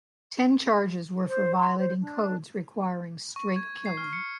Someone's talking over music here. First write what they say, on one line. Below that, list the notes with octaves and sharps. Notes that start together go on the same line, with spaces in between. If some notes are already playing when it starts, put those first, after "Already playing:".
Ten charges were for violating codes requiring straight killing.
C5
C6
C5
D4
C#6
G#6
C7
F6
C#7